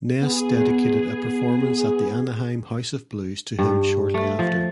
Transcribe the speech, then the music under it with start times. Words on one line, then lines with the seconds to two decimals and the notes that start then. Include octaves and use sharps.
Ness dedicated a performance at the Anaheim House of Blues to him shortly after.
0.22 B3 G#4
3.59 G2
4.14 A3
4.39 F3